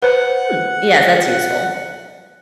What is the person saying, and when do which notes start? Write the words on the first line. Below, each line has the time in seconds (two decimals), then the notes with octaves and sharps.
Hmm. Yes. That's useful.
0.02 B4 C5 F#5